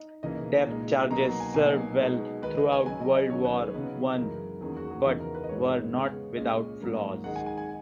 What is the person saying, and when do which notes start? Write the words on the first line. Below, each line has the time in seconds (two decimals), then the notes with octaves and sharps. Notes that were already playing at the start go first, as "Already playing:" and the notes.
Depth charges served well throughout World War One but were not without flaws.
Already playing: D#4
0.23 C#3 E3 A#3 D#4 D#5
0.67 A#2 G#3 D#4
1.11 B2 F#3 A#3 D#4 A#5
1.25 A#5
1.40 G#5
1.54 B2 F#3 A#3 D#4 G#5
1.98 B2 G#3 D#4
2.42 D#3 G#3 D#4 B4
2.58 D#5
2.72 G#5
2.86 C#3 F#3 C#4 G#5
3.01 D#5
3.15 D#5
3.30 D#3 F#3 C#4 C#5
3.45 B4
3.59 G#4
3.74 C#3 F#3 B3 D#4 B4
4.17 F#2 E3 G#3 A#4
4.61 E2 D#3 A#3 C#4 G#4
4.77 F#4
4.91 G#4
5.05 E2 C#3 E3 B3 D#4 A#4
5.20 A#4
5.35 B4
5.44 D#5
5.49 G#2 E3 G#3 D#4 C#5
5.94 C#3 G#3 B3
6.37 A#2 G#3 C#4 D#5
6.80 G#2 F#3 A#3 C#4
7.24 D#3 G#3 D#4 F#5
7.36 G#5
7.46 G#5
7.58 G#5